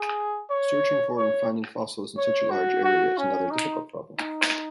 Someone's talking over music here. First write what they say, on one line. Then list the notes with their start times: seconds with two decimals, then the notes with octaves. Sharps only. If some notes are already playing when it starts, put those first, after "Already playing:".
Searching for and finding fossils in such a large area is another difficult problem.
Already playing: G#4
0.50 C#5
1.17 C#5
2.18 C#5
2.51 F#4
2.84 F#4
3.18 C#4
3.51 D#4
4.18 D#4